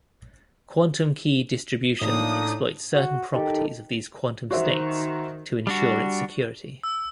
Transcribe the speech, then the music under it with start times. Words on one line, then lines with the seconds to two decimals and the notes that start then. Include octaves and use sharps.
Quantum key distribution exploits certain properties of these quantum states to ensure its security.
2.01 A2 F3 A#3 D4 D#4 D#6
2.94 F#4
3.34 D#3 G4 A4 D6
4.51 D#3 F#4 C5 E5
5.67 G3 D4 F#4
6.83 E6